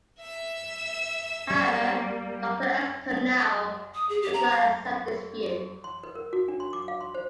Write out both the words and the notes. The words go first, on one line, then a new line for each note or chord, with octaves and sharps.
However, Doctor S Konow does not accept this view.
E5 E6
G3 A#3
D#6
G#4
G4
A#5
F5
C6
B4
A#4
F#4
D4
C6
D6
F5
C6
C5